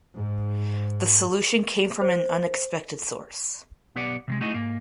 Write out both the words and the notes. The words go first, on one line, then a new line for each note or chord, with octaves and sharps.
The solution came from an unexpected source.
G#2
C5
B1 B3 G4 D5 F#5
C3 F#3 G#3
A3 D#4 E4 F#4 G#4 D#5
G#2 A#3